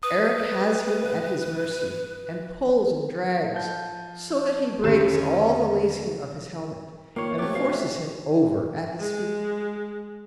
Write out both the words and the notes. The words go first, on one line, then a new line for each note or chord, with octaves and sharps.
Erec has him at his mercy, and pulls and drags so that he breaks all the lacing of his helmet, and forces him over at his feet.
B4 D#6
F3 G6
E1 D3 D#3 C#4 G4 E7
D#3 A#3 F4 A#4 C#5 C#6
C3 A3 B3 C4 C5 C#5 D6
B2 A3 F4 F#4 B4 F5
E5 G#5
G#3